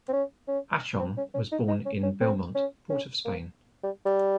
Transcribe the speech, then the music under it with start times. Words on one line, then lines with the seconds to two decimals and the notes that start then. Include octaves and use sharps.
Achong was born in Belmont, Port of Spain.
0.08 C4
0.13 C#4
0.48 C#4
0.99 C4
1.17 C#4
1.34 C#4
1.52 D#4
1.68 D#4
1.85 C#4
2.03 C#4
2.21 C4
2.55 C#4
2.90 C#4
3.25 A#3
3.83 G3
4.06 G3